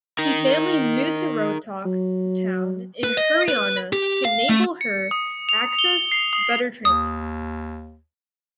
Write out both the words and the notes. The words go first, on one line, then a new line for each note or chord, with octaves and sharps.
The family moved to Rohtak town in Haryana to enable her access better training.
D#4 A#4
F#3
B4
D#5
B4
G4
F5
A3
C#7
D#6
F7
G7
C7
D#6
D#2 D#6